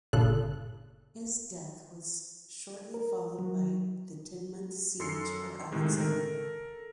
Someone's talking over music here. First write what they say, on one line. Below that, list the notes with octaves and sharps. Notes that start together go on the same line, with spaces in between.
His death was shortly followed by the ten-month siege of Alexandria.
G1 A#2 C#3 A4 F#6
A#4
F#3
F#2 A4 C6 E6 C7 C#7
A2 C3 D#3 G#3
A4 A#4